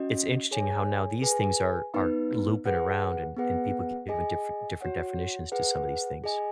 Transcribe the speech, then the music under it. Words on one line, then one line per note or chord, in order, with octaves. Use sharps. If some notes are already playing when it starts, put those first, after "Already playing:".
it's interesting how now these things are are looping around, and and people giving different different definitions to some of these things.
Already playing: C#4 F#4 D#5
G#4 C#5 G#5
G#4 B4 G#5
B3 D#4 B4
G#4 B4 F#5
B3 G#4 B4 F#5
G#4 D#5 G#5
F#4 C#5 F#5
G#4 B4 F#5
G#4 D#5 G#5